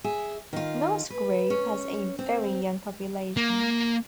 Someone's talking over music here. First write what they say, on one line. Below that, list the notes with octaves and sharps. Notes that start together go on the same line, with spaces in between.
Nutgrove has a very young population.
G#4 E5
D#3 F4
B4
C#4
C4
A#3